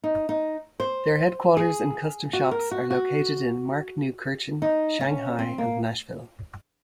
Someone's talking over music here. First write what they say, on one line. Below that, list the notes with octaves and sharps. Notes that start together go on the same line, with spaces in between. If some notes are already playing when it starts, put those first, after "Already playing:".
Their headquarters and custom shops are located in Markneukirchen, Shanghai, and Nashville.
D#4
D#4
C5
G#4
F#4
A#4
F#4
F#4
D#4
C#4
C4
A#3